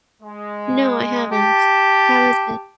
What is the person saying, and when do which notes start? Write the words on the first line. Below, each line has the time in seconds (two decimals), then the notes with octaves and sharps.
No, I haven't. How is it?
0.23 G#3
1.32 G4 A5